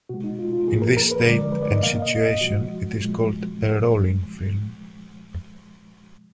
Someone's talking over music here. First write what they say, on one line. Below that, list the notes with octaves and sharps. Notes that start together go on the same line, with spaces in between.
In this state and situation, it is called a "Rollin film".
B2 G#3 F#4
D#4
F4
F4
A#2 F3 A#3 G#4
A#4
A#4
B4
F#2 D3 F3 G#3 D5
A#4
B4
D5
D#5
B2 A#3 F5
D#5
D#5
F#2 F3 G#3 F#4
A#2 F3 G#3